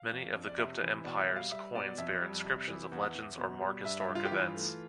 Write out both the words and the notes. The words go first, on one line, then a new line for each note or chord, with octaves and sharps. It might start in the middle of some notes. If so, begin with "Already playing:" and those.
Many of the Gupta Empire's coins bear inscriptions of legends or mark historic events.
Already playing: F5
F2
F2
D5
C3 E5
E3
B2 D5
E5
G3
F5
G3 E5
B2 D5
F2 E5
G3
C3
E3
E2
E2
B2
G3
G2 E5
E5
G2
F4
G4
E3 F4
A3